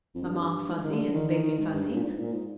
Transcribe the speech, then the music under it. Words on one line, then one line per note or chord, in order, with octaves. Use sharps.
Mamma Fuzzy, and Baby Fuzzy.
F2
G2
G#2
D#3
D3
D#3
D#3
D#3
G#2
G2
G2
A#2
G#2
A#2
G#2